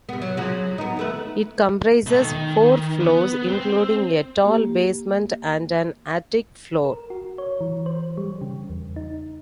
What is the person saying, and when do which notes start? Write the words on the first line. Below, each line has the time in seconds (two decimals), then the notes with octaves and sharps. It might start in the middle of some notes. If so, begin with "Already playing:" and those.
It comprises four floors, including a tall basement and an attic floor.
0.09 C3 B3
0.22 F#3
0.37 C#3 F3 F#3
0.78 B3 D#4
0.97 D#2 A3 B4
2.06 B2 A3
2.21 D#3
3.00 B3
3.49 C4
4.44 A#3 G4
6.85 A#4
7.10 F#4
7.38 C#5
7.61 E3
7.86 C5
8.18 G3
8.41 C#3
8.70 E2
8.96 D#4